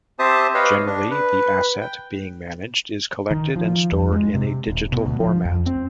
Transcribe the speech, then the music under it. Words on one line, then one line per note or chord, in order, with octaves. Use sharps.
Generally the "asset" being managed is collected and stored in a digital format.
C4 G4 C5 E5 A5 D#6
G4 B4 C#5 D#5 F5
D4
B4
G5
D#3
F3
F2
G#3
C3
D#1
B2
D2
F3
F2
C4